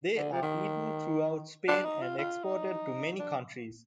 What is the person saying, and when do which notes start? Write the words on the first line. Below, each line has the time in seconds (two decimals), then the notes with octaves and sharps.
They are eaten throughout Spain and exported to many countries.
0.17 D3
0.32 F3
0.42 D#3
1.68 D4
1.85 D#4
2.02 F4
2.18 F4
2.44 D#4
3.19 D4